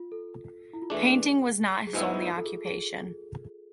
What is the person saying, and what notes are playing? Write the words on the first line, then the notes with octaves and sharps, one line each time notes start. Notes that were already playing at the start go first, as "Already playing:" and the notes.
Painting was not his only occupation.
Already playing: F4
A4
E4
F4
E3 A3 D4 G#4
G#4
G#2 G#3 B3 E4 F4
F4
A4
G#4
G#4